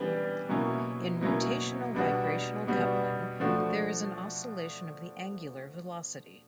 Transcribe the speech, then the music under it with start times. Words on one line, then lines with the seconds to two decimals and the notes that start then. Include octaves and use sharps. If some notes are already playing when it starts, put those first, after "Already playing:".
In rotational-vibrational coupling there is an oscillation of the angular velocity.
Already playing: E3 G3 B3 D4
0.49 B2 F#3 A#3 C#4 E4
1.21 B2 F#3 A#3 C#4 E4
1.95 B2 G3 B3 D4 F#4
2.67 B2 G3 B3 D4 F#4
3.40 F3 A3 D4 F#4